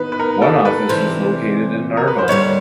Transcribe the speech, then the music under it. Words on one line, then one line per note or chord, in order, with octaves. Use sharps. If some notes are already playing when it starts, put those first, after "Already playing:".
One office is located in Narva.
Already playing: D#3 B3 D#4 B4
B4
A#4
A4
B4
C3 E3 G3 C5
A#4
B4
C5
D#2 D3 G3 C#5